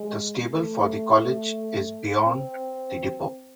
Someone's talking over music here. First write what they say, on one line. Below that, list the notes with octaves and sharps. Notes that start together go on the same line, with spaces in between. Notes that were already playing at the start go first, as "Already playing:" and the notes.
The stable for the college is beyond the depot.
Already playing: G#3
A3
C4